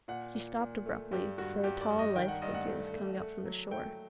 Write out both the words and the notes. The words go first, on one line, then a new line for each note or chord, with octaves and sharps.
She stopped abruptly, for a tall lithe figure was coming up from the shore.
A#2 F#5
A#2
A#2
A3
G2 G4
G2 F#4
G2 G4
D5
G2
D#5
D#3 G5
F#5
G2 D#5
F#5
A3
A3
A3
F#3
A3 G5